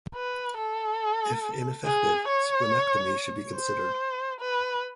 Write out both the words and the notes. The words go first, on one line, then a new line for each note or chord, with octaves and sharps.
If ineffective, splenectomy should be considered.
B4
A4
G#4
C#5
C5
B4